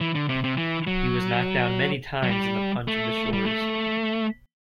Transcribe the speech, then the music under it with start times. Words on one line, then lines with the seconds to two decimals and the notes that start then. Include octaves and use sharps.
He was knocked down many times in the punch of the shores.
0.01 E3
0.15 D3
0.29 C3
0.44 C3
0.58 E3
0.87 F#3
2.23 F#3
2.30 G3
2.88 A3
3.33 G3
3.45 A3